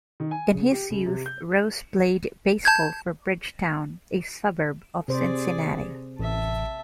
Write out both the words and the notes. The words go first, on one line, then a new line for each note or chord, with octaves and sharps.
In his youth, Rose played baseball for Bridgetown, a suburb of Cincinnati.
D#3
G#5
C#3
G4
C#2
C3
G6
A5 G6 G#6
C3 G#4 C5 D5
A1 E5 A5